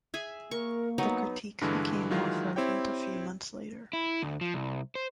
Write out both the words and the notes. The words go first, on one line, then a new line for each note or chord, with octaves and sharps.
The critiques became more fervent a few months later.
G#4 E5 G#5
A#3 A#4 C#6
F#3 B3 D#4 F#5
G2 D3 E3 G#3
D#3 E3 F#3 G#3 F4
C4 E4 G4 C#5 G5
E4
D2
F3
C2
C5